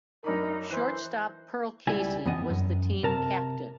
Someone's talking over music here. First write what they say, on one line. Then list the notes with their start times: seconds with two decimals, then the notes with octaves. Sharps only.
Shortstop Pearl Casey was the team captain.
0.24 F#2 D4 D#4 A#4 B5
0.71 E3 C5 F#6
1.87 C#2 G3 E4 G#5
2.25 F2 E3 B3 D#5
2.50 F#2
3.03 C3 A#4 A5